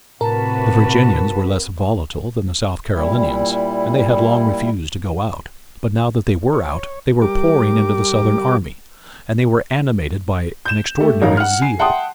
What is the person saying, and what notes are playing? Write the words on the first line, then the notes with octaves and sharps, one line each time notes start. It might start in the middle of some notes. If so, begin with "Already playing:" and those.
The Virginians were less volatile than the South Carolinians, and they had long refused to go out, but now that they were out they were pouring into the Southern army, and they were animated by an extraordinary zeal.
A2 C3 F#4 A#4 B4 A5
A#2 G3 E4
C#5
G3 G4 A#4 D6
G6 E7
A3 G4
A1 F#3 D#4 A#4 F5
F#5 F6
G#5 C7
E5 F#5 G5 A5 C6 D#6